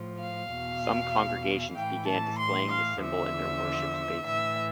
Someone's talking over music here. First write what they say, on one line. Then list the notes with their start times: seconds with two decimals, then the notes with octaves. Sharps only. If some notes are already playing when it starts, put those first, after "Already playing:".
Some congregations began displaying the symbol in their worship spaces.
Already playing: A2 F3
0.20 F5
0.51 E2 B2
1.75 A2 E3 G5
2.07 A5
2.39 C6
2.69 F5
3.01 E2 D3 F3 E5
4.25 A2 E3 E5